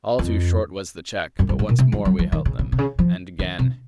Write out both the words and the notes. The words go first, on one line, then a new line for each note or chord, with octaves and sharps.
All too short was the check, but once more we held them--and again.
F2
F#2
F#2
G#2
A#2
C3
F3
F#3
F3
D#3
C#3
C#3
C3
C#3
F3
D#3
C3